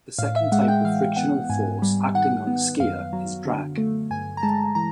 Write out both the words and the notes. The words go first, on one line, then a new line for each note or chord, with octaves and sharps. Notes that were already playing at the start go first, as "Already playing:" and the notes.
The second type of frictional force acting on a skier is drag.
A2 F5
E5
G#3 F#5
F#5
G5
E3 F5
B3 F#5
G#2 G#5
G3
D#3 F#5
B3
F#2 F5
F#3
D3
A3
G2 G#5
A#5
G#3 A5
E3 A#5